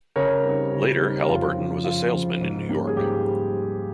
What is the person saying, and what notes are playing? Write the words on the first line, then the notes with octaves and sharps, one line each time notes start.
Later, Halliburton was a salesman in New York.
C#3 A#4 C#5
G3 C4 D#4
C#3
G3 C4 D#4
F2 F4
C#3 F3
F2 F4
C#3 F3
G#2
G3 A#3 C#4
G#4
G#2 G4
G3